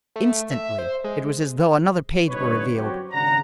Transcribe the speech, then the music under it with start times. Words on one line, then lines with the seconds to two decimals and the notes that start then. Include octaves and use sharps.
Instantly it was as though another page were revealed.
0.16 A3
0.51 E5
0.79 C5
1.04 G#3
2.28 G1 D#4 B4 C#5
2.75 F#2 F#3 C4 F#4 G4 C#5
3.12 G#1 C#3 D4 F#5 A#5